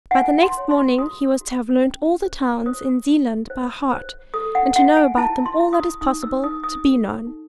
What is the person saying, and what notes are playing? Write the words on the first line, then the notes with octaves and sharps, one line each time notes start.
By the next morning he was to have learnt all the towns in Zealand by heart, and to know about them all that is possible to be known.
F#5
E4 G#5
C6
C#5
C6
F#4 D#6
F#4
C#4
C5
C5 D#6
F#4
C5
C5
A4 D#6
F#5
F#4 F#5
G#5
E4 A5
C6
E4
D#6
D#4 D#6
E6
D#4 D#6
D#6
A4
D#4